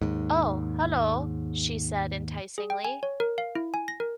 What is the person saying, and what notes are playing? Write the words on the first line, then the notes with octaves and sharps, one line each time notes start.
"Oh, hullo" she said, enticingly.
D#2 G#2
G#4
G5
G#5
C#5
A#4
F5
E4
G#5
A#6
A#4